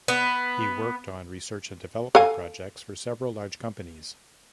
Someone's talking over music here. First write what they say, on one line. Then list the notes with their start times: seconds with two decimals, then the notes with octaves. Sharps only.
He worked on research and development projects for several large companies.
0.08 B3
2.15 A4 F5 G#5